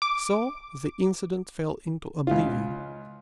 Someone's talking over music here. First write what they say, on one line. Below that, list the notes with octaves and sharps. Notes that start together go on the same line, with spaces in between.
So the incident fell into oblivion.
D6
C#2 F4